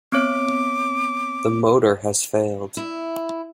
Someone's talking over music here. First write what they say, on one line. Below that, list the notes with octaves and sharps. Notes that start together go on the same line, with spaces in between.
The motor has failed.
B3 C4 C#5 D6
E4